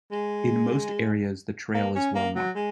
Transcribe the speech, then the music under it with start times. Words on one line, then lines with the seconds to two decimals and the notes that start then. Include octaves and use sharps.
In most areas the trail is well marked.
0.12 G#3
1.74 A#3
1.95 C#4
2.15 A#3
2.35 F#3
2.55 G#3